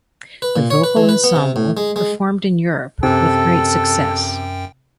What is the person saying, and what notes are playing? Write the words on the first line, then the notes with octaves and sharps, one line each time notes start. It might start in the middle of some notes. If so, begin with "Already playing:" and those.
The vocal ensemble performed in Europe with great success.
B4
A#2
C#5
B4
E3
B4
B3
C3
A2
G#3
G#3
F#2 C3 A4 G5